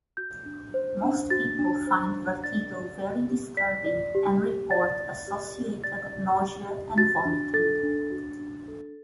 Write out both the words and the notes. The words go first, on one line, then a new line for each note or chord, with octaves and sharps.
Most people find vertigo very disturbing and report associated nausea and vomiting.
F#4 G6
D4
C5
D4
F#4 A6
D4
C5
D4
D5 A6
D5
G4
G4
D5 B6
D5
G4
G4
D5 A6
D5
G4
G4
D5 A6
D5
G4
G4
F#4 A6
D4
A4 A6
D4
F#4
D4
A4